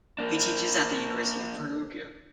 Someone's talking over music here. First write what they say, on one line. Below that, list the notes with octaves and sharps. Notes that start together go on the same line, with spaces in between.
He teaches at the University of Perugia.
A#3 D4